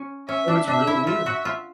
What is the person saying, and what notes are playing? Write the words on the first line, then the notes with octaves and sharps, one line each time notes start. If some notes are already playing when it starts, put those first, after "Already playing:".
So it's really weird.
Already playing: C#4
C#4 E5
D4
D4 E5
E4
F4 E5
F#4
F4